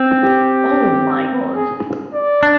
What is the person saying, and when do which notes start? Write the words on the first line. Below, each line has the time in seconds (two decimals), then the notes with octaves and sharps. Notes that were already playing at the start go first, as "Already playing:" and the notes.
Oh, my God!
Already playing: C4
0.23 G4
1.56 G#4
2.14 D5
2.43 D4